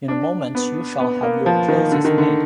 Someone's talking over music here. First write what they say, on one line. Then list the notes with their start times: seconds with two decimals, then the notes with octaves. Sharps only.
In a moment you shall have your clothes made.
0.08 D4
0.55 B3
1.00 B3
1.23 A#3
1.46 F3
1.68 D#3
1.92 D3
2.05 D#3
2.18 D3